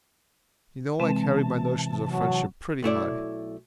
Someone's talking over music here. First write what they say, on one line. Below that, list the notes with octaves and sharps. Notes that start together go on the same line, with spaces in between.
You know I carry my notions of friendship pretty high.
C3 E3 G#3 C4 A5
F#3
B1 A3 E4 D5